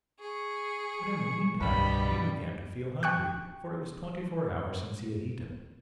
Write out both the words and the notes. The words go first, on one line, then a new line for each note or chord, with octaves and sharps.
But in the meantime, he began to feel hungry, for it was twenty-four hours since he had eaten.
G#4 C#6
C2 G2 B2 D#3 G3 B5
G5 C#6 F#6